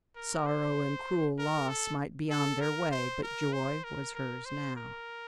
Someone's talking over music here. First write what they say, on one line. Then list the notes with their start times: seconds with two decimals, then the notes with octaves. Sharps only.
Sorrow and cruel loss might be on their way, but Joy was hers now.
0.16 A#4
0.46 C5
1.38 A#4
1.69 A4
2.30 A4
2.61 A#4
2.91 C5
3.23 A#4
3.53 C5
3.84 A#4
4.15 A#4
4.45 C5
4.76 A#4